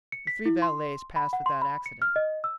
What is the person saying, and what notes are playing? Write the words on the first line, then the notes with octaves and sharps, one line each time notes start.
The three valets passed without accident.
C#7
B6
E4
C6
B5
F#5
C6
B5
C#7
F6
D#5
E6